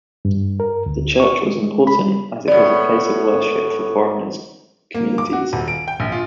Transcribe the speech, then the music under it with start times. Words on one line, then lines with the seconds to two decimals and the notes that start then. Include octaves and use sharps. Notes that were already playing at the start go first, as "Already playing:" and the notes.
The church was important as it was a place of worship for foreigners communities.
0.25 G2
0.60 A#4
0.86 D2
1.20 C#6
1.45 G#3
1.62 G#3
1.87 B5
2.00 G3
2.48 A2 B3 D5
4.94 A#3
5.18 D6
5.33 F#4
5.53 D#1
5.68 D7
5.88 G5
6.00 A#1
6.12 F4